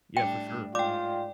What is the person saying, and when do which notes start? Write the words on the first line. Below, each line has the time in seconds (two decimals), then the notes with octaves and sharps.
Yeah, for sure.
0.17 A2 G3 D4 G5
0.75 G#2 F4 D5 G5 D6